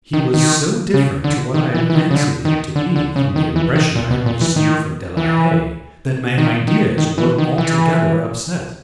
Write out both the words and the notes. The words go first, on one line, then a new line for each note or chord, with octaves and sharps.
He was so different to what I had fancied him to be from the impression I had received from De la Haye, that my ideas were altogether upset.
D#3
D#3
C#3
D3
D#3
E3
E3
D#3
C#3
D3
D#3
D3
D3
C#3
D#3
E3
D#3
A#2
B2
A#2
E3
D#3
E3
D#3
D#3
D#3
E3
D#3
E3